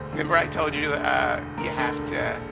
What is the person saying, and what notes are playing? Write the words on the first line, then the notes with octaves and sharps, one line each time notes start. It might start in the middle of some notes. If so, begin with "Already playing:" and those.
'Member I told you, uh, you have to
Already playing: E1 D2 C5
D3
E1
E1
D2
D3
E1
E1
D2 A#4
D3
E1
A#1 A4